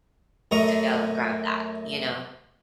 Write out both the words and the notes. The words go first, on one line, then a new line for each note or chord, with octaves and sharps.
To go and grab that, you know?
F#2 A3 D#5 A#5 C#6